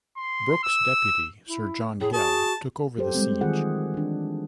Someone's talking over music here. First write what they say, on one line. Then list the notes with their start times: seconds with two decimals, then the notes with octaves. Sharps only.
Brooke's deputy Sir John Gell, took over the siege.
0.17 C6
0.64 E6
1.48 E4
2.00 A2 G#4
2.13 F#4 G#4 A5
2.97 F#3 G4 A4 C5
3.15 G3 G#3 C4
3.41 D#3 E3 F4 G#4 F#5
3.94 E3 D4